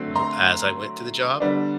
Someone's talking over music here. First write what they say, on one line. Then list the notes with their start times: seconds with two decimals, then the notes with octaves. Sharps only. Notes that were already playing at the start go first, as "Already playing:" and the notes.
w as I went to the job.
Already playing: D3 F#3 A3 C4
0.16 A#5 C6
1.40 D3 G3 B3 D4